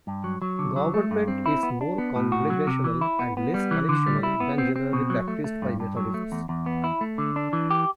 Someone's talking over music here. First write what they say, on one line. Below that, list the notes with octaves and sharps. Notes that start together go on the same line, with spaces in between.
Government is more congregational and less connectional than generally practiced by Methodists.
G2
F#3
F#3
D3
F#3
A3
G2
C4
E4
B3
D4
B3
A2
F#4
F#3
C3
E3
E4
B3
B3
G3
E3
D3
G3
E4
B3
C4
C4
B2
F#3
A3
A3
G2
G2
F#3
A3
E2
E2
B3
E4
A3
D3
D4
E3
G4